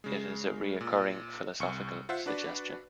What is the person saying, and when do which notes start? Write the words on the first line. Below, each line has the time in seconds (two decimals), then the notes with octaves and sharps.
It is a recurring philosophical suggestion.
0.04 C#3 G#3
0.81 A#2
1.60 C2 C#6 C#7
2.09 F4 C5 E5 F#5
2.26 D4 F#4 B4 D5